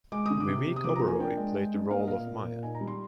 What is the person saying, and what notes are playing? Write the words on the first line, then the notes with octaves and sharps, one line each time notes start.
Vivek Oberoi played the role of Maya.
G#3 D6
D3 D#6
D6
C3
C3
D#6
F3 D6
A#5
A#3
G#5
D4 G5
G#3
G#3
D4
A#3 F5
D#5
A#2 F5
A#3
A#2
D#4 G#5
A#5
G3
C6